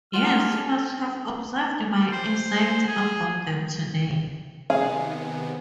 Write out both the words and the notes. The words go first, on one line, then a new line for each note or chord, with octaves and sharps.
Yes; you must have observed my anxiety about them today.
G#3 F4 G4 F#5 F6
A4
C5
G#4
C3 D#3 B3 G#4 F5